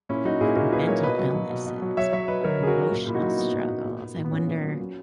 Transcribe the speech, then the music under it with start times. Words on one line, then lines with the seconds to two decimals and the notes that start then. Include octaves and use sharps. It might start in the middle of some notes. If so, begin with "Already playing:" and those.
like, mental illnesses, or emotional struggles? I wonder,
0.09 A#2 C#4 E4
0.24 F#3 D#4 F#4
0.41 A#2 E4 G#4
0.56 A#2 F#4 A#4
0.72 A#2 G#4 B4
0.87 F#3 A#4 C#5
1.03 B2 B4 D#5
1.18 F#3
1.34 F#3
1.50 B2
1.67 B2
1.82 F#3
1.97 F#3 C#5 E5
2.13 F#3 C#5 E5
2.28 F#3 B4 D#5
2.44 F#3 A#4 C#5
2.60 C#3 G#4
2.67 F#4 A#4
2.75 C#3
2.92 A#2
3.07 A#2 E4
3.14 D#4 F#4
3.22 F#3
3.38 F#3 B3
3.54 A#2
3.70 A#2
3.85 A#2
4.01 A#2
4.17 A#2
4.25 B3
4.32 A#2 C#4
4.48 A#2
4.63 F#3
4.80 F#3